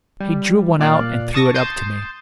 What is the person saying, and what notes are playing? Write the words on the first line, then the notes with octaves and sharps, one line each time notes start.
He drew one out and threw it up to me.
G3
A#2 D5 F5 F#6
A5 C#6 D#6 A6 A#6
C6 D#6 G6 A6 C7 E7